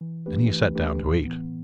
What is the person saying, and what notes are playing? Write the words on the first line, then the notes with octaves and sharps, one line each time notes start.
Then he sat down to eat.
E3
A3 D4 G4 B4
E3
A3 D4 G4 B4
A2
E3 B3